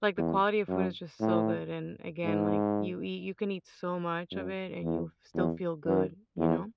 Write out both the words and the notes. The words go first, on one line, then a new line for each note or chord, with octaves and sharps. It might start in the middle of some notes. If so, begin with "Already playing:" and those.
like, the quality of food is just so good, and again, like, you eat you can eat so much of it and you'll f still feel good, you know?
E2
F#2
A2
G#2
F#2
E2
E2
F#2
E2